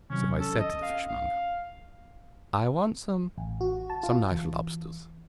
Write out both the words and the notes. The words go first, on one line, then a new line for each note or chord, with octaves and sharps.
So I said to the fishmonger, "I want some--some nice lobsters."
C3 D#3 F#3 C#4
C#4 A4
D#5
F5
F5
A1
F#4
A5
F4
E3